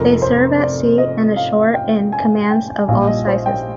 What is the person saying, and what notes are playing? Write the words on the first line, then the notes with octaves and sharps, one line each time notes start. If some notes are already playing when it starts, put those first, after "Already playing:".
They serve at sea and ashore in commands of all sizes.
Already playing: F1 F2 C3 A#4
C5
D5
D#5
F5
G5
G#5
G5
A#1 A#2 G3 F5
D#5
C5
G5